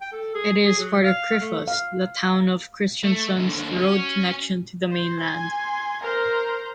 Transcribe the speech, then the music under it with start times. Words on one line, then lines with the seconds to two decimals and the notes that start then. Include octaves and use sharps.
It is part of Krifast, the town of Kristiansund's road connection to the mainland.
0.01 G5
0.12 A4
0.35 G#4
0.64 G#4
0.79 F#3
1.03 F5
1.40 A3
1.68 F5
3.03 A3
3.36 D#2 D3
3.77 C#4 F#4
4.91 C5
5.20 G#5 C6
6.02 A#4 C5 A#5